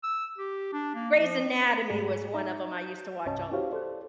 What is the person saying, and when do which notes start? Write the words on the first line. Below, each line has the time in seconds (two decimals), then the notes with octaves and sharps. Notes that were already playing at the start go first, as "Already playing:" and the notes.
Grey's Anatomy was one of 'em I used to watch all the time.
0.03 E6
0.38 G4
0.73 D4
0.95 A#3
1.16 F3
1.90 G#2 G#3 A3 G#4
2.34 D#4 E5 A#5
2.76 G6
3.26 C2 G2 C#4 C#5 D#5 A5
3.52 E4 F#4 G4 C5 C#5 F5
3.72 A4 C5 D5